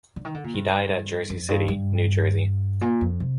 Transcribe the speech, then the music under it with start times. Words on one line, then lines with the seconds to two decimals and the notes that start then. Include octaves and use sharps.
He died at Jersey City, New Jersey.
0.16 D3
0.25 D#3
0.34 D3
0.44 A#2
0.54 G2
1.30 F2
1.49 G2
1.68 G2
2.81 A#2
3.01 F2
3.20 C3